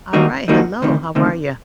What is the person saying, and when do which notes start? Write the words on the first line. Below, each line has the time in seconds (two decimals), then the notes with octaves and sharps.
All right, hello. How are you?
0.13 D#3 G3 A#3 D#4 F#4
0.48 D#3 G3 A#3 D#4 F#4
0.82 D2 C3 D#3
1.15 D2 C3 D#3